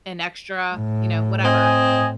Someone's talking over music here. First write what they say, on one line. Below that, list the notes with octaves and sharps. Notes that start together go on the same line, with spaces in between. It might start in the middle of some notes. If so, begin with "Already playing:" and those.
an extra, you know, whatever.
A2
C4 D#5 G#5